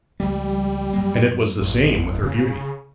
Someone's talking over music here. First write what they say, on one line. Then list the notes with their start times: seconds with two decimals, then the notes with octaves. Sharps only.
And it was the same with her beauty.
0.20 C#2 F3 G3 A3
0.93 F#2 F#3 A#3
1.60 A1
2.22 C#3